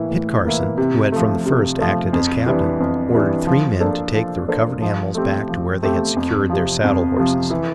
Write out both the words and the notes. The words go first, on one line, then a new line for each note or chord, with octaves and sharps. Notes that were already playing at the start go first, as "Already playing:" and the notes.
Kit Carson, who had from the first acted as captain, ordered three men to take the recovered animals back to where they had secured their saddle horses.
Already playing: A2 E3 A#3 E4
A2
E3 A#3 E4
C3
F3 A3
C3
F3 A3
F2
E3 G3 D4
F2
E3 G3 D4
F3
A#3 D4 A4 C5
F3
A#3 D4 A4 C5
F3
A3 C4 G4
F3
A3 C4 G4
F2
C3 F3
F2
C3 F3
E3